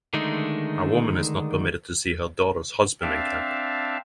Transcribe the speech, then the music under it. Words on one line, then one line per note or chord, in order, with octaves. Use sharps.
A woman is not permitted to see her daughter's husband in camp.
D3 D#3 G#3 A3 D#4
C4 D4 E5 F5 A5